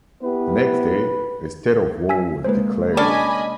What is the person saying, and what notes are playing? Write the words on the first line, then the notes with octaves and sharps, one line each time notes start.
The next day, a state of war was declared.
B3 E4 G4 B4
G#5 E6 B6
C3 G#3 A#3 B4 C5
C#4 D4 D5 D#5 G#5 B5